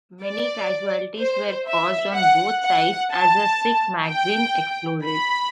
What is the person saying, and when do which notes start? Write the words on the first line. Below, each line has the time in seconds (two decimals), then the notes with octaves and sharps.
Many casualties were caused on both sides as a Sikh magazine exploded.
0.23 D5
1.20 C5
1.68 E5
2.16 F#5
2.64 F#5
3.13 A5
4.09 G5
5.05 B5